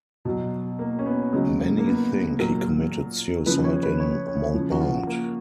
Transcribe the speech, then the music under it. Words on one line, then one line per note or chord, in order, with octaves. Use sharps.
Many think he committed suicide in Montbard.
B2 F#3
A#3
C#4
B3
C#3 F#3 G#3
A#3
A#3
B3
A#2 F#3 A#4
C#3 F3 B4
C#5
B4
C#5
C#5
C#3 F3
F#4
F4
A#3